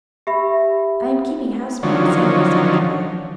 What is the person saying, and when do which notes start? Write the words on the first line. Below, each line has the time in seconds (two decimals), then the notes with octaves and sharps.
I am keeping house by myself this afternoon.
0.27 G4 E5 B5
1.83 D3 D#3 F3 F#3 C#4